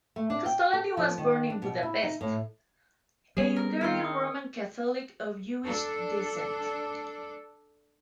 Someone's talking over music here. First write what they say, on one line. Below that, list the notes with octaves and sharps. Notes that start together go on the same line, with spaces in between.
Kostolany was born in Budapest, a Hungarian Roman Catholic of Jewish descent.
A3
D4
G5
A4
F3
D#3
D4
B2
E4
D#4
A2
G3 B3 G#4
A#4
D#3 C4 F6 C#7 G7
D#6
D4 A4